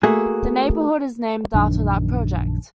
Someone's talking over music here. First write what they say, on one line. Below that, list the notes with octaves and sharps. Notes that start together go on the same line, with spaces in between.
The neighborhood is named after that project.
A3 A#3 F#4 G#4
A#1 F#2 D#3 D4